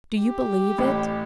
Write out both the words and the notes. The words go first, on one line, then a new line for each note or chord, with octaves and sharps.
Do you believe it?'
G4
A1 A2